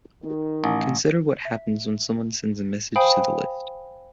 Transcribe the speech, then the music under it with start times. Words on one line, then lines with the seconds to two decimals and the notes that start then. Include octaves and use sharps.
Consider what happens when someone sends a message to the list.
0.23 D#3
0.64 A1
1.45 E5
2.96 C5 F5 G5 G#5 B5 D#6